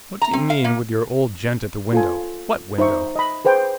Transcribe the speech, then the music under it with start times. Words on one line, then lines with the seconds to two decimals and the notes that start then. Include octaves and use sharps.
'What do you mean with your old gent at the window?--what window?'
0.22 A#5
0.33 C4
0.50 F5
0.64 A#3
1.93 F4 A4 G#5
2.78 D#4 C5 E5 C#6
3.16 D#5 B5
3.45 G#4 B4 C5 G5